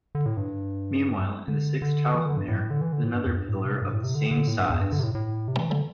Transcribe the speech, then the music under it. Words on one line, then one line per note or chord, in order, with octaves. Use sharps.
Meanwhile, in the sixth talhamare is another pillar of the same size.
D3
A2
G2
D3
D3
E3
D3
G2
A2
D3
E3
D3
A2
G2
E2
G2
A2
C3
G2
A2
C3
D3
D3
A2
G2
E2
G2
D3
C3
A2
A2
C3
E3
D3